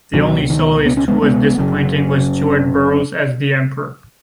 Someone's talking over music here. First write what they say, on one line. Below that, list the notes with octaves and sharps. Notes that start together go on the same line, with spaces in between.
The only soloist who was disappointing was Stuart Burrows as the emperor.
C#2 B2 D#3 F#3
D#3
B3
C#4
G#3 B3
G#3 B3
F#1 F#2 C#3